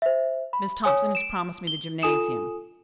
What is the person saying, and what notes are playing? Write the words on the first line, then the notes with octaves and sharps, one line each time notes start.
Miss Thompson has promised me the gymnasium.
C5 E5
B5
C#5 G#5 D#6
D7 E7
G7
F4 A4 G#5 D#6 E7